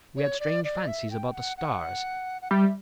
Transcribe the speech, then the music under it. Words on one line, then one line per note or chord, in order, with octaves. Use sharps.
We had strange fancies about the stars.
C#5
D5
D5
E5
G5
F#5
F#5
F#5
G3 E5